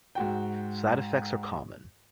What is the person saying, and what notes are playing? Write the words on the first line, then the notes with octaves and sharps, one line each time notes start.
Side effects are common.
G#2 F#4 G5